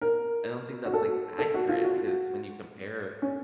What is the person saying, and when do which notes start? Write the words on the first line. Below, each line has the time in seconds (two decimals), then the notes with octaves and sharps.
I don't think that's, like, accurate because when you compare
0.01 A#4
0.86 F#4
0.94 A4
1.39 A4
1.54 F#4
1.69 F4
1.84 F#4
3.22 C#4